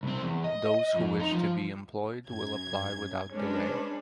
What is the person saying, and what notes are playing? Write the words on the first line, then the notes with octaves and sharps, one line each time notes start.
Those who wish to be employed will apply without delay.
C2 C4
E2
D#5
F2
D#4
F3
F#2 G#6
G#3 C#4 D4 B4 C5